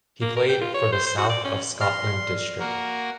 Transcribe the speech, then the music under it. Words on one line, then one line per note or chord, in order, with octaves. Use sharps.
He played for the South of Scotland District.
A#3
A#4
G5
F4
C#5
C5
C5
F#4
D5
C#4
D5 C6 F6 A#6
A#3 F#4 A#4